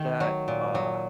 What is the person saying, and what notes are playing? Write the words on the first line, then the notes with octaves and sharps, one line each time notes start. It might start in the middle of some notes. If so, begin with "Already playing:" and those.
that, uh,
Already playing: D#3 A3
F#3
A#2
F#3